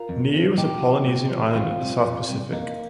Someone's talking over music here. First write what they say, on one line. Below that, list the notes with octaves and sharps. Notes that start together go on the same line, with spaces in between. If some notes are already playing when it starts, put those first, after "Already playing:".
Niue is a Polynesian island in the South Pacific.
Already playing: F4 A#4
F2
C3 F3
A#2 D#4 G4
F3
A#2
F3
F2 C4 F4
C3 G3
F2
C3 G3
F2 A#3 D#4